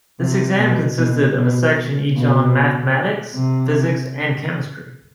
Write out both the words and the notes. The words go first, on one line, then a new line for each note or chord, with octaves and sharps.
This exam consisted of a section each on Mathematics, Physics and Chemistry.
C3
B2
B2
B2
B2
C3